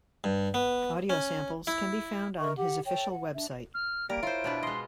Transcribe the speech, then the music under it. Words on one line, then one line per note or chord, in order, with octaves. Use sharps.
Audio samples can be found on his official website.
G2
B3
C#4
E4
A#4 D#5 E5 C#6
G4 F#5
A4 C#5 G5
F#5
D4 E5
F6
G3 A#3 A#4 D7
E4 F4 C5 C#5
B2 D4 B4
G#3 D#5 C6